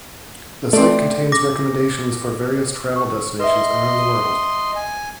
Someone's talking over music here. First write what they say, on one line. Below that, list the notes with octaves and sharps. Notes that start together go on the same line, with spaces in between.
The site contains recommendations for various travel destinations around the world.
A3 C4 D5
D6 A#6
C#6
B4 D#5 E5 C6
G#5